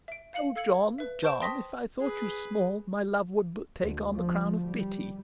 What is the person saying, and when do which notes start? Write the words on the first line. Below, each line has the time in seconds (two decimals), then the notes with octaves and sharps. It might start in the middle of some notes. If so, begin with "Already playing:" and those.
Oh John, John, if I thought you small, my love would but take on the crown of pity.
0.08 E5 D7
0.34 F5 C#7 F#7
0.56 A4 F5 E6 G#6 C#7 F#7
0.98 B4 E5
1.23 C5 A5 C#6 G6 D7 E7
1.41 G5 A5 C6 D#6 A#6 B6
2.00 G#4 B4
3.82 D2
4.15 F3
4.63 G3